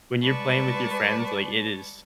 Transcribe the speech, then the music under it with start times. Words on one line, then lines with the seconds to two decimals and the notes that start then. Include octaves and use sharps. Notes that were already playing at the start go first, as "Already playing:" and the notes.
when you're playing with your friends, like, it is
0.22 G3 G#3 B4 D5 A5 C#6